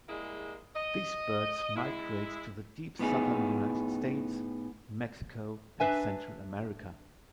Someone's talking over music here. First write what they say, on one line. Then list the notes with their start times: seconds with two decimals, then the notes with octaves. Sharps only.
These birds migrate to the deep southern United States, Mexico, and Central America.
0.09 G3 G#3 A#3 E4 G#4
0.74 D#5
1.76 G#3 E4
2.99 A2 B3 D#4 G#4
5.80 D4 B4 E5 G#5